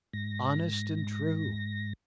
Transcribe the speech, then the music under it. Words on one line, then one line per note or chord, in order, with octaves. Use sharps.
"Honest and true."
G#2 A#6